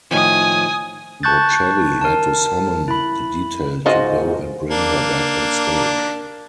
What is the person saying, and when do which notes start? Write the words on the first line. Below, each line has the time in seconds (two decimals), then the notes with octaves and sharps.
Bocelli had to summon the detail to go and bring her back on stage.
0.11 A2 D#3 F3 G#5 D#6
1.23 A5 C#6 F#6 G6 A6
2.01 A#4 A5
2.88 E4 B5
3.86 G#2 F4 F#4 D#5
4.71 A#3 D4